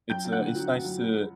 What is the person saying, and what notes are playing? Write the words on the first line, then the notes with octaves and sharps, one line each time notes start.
It's, uh, it's nice to
F#2 G5 G6
F#2
F#5 F#6
D3
F#3
F#2
F#2
C#2